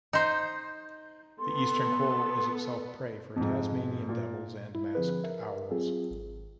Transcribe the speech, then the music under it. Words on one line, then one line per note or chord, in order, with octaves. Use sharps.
The eastern quoll is itself prey for Tasmanian devils and masked owls.
D#4 C5
B3 A4 C6
F2 G#2
A#2
E4
D3 F3 C4 G#4 B4
A#4 E5
F#3 C4 F4 G#4 A4
G#1